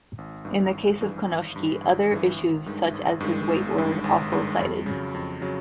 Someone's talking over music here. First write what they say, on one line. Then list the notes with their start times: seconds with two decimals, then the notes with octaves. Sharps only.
In the case of Konishiki, other issues such as his weight were also cited.
0.18 G#1
0.45 G2 E3
0.72 G#1
1.01 G2 E3
1.27 G#1
1.56 G2 E3
1.84 G#1
2.11 G2 E3
2.38 G#1
2.66 G2 D#3 G#3
2.94 G#1
3.20 G2 D#3 G#3
3.48 G#1
3.77 G2 D#3 G#3
4.04 G#1
4.32 G2 D#3 G#3
4.59 F2
4.86 C#3 F#3
5.14 F2
5.42 C#3 F#3